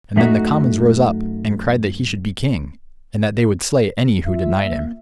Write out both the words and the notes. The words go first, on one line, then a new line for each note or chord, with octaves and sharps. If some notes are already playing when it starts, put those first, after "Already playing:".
And then the commons rose up and cried that he should be king, and that they would slay any who denied him.
F#2 A3 D#4 F#4
F4 E5
A#3